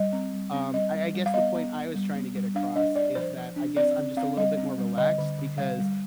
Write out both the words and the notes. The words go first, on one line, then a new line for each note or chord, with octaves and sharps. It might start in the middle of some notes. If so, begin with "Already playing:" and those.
Um, I I guess the point I was trying to get across is that I guess I'm just a little bit more relaxed, because
Already playing: G3 D#5
C4
G3
C4
G3 D#5
G3
G3
F5
B3 D#5
B3
B3
G3
B3
G3
D4 F5
D4 D#5
D4 D5
F3 C5
F3
D4
C4 D5
C4
C4 F5
G3 D#5
C4
G3
D3 D#5
D3
D3
G3 F5
G3